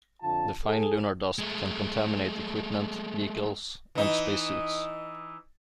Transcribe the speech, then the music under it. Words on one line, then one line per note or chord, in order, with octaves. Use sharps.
The fine lunar dust can contaminate equipment, vehicles, and space suits.
F2 D3 F4 A5
G#4 A4
G#3 A3
E3 D#4